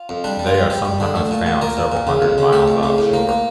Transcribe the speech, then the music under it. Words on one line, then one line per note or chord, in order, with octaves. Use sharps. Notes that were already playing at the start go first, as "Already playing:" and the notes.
They are sometimes found several hundred miles off-shore.
Already playing: F4
F2
G3 D4
G3
F4
G3
G3 G4
G3
D3
A3
A#2
A#2
A#2 A#4
A#2
A#2
C#3
F2
C#3
A3 G4
F2
C#3
A2
A#3
A#3